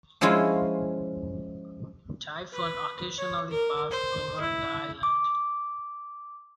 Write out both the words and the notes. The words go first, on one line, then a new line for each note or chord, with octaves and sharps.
Typhoons occasionally pass over the island.
F3 G#3 C#4 E4 F4
B4
C#5
A#4
C5
E4
D6